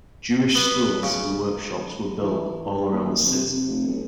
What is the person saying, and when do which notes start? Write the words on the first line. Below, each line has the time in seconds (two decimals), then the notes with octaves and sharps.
Jewish schools and workshops were built all around the city.
0.55 B3
1.03 C#3
2.21 E3
2.42 E3
2.65 G#2
2.92 D#2
3.27 C3
3.42 C3
3.68 F1
3.87 B1